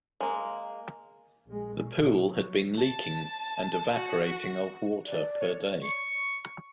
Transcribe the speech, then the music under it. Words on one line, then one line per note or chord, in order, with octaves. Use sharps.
The pool had been leaking and evaporating of water per day.
G#3 A#3
A#1 G#3
B2
F#3
A5
F#4
D5
C#5
C#6